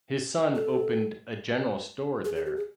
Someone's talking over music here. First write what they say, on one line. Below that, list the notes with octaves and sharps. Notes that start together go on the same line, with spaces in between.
His son opened a general store there.
A4
G#4
G#4
G4
G#4